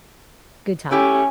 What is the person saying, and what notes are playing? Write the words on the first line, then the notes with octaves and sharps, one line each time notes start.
Good times.
A3 C#4 E4 G4